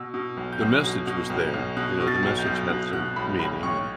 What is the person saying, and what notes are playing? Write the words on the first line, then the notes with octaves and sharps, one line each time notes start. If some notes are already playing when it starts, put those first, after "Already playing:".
the message was there. You know, the message had some meaning and
Already playing: B2 E6
B2
B1
G6
B1
B2
B2
B1
B1
B2 F#6
B2
A6
B1
G6
B1
B2 F#6
B2 F#6
B1 B5
B1 B5
A1 C#6